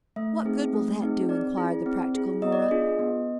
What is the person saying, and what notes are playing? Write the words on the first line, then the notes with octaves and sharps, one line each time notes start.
"What good will that do?" enquired the practical Nora.
A3 E5
C4 D#4 G#4
A3
C4 D#4 G#4
C4 D5
E4 G#4
C4
E4 G#4
B3 D#5
D5
D#5
D4 F4 G#4
B3